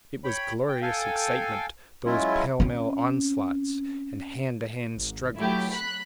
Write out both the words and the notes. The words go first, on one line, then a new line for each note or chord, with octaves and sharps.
It was glorious excitement, those pell-mell onslaughts and hand-to-hand struggles.
C#5 G5 B5
G5
A4 F5 G5 G#5
F#3 G#3 C#4 E4 F4
C4 C#4
G#1
F#3 A3 E4 G4
B5 F#6